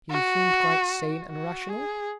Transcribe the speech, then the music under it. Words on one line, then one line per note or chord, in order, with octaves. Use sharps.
"He seemed quite sane and rational?"
F#4
F#4
G#4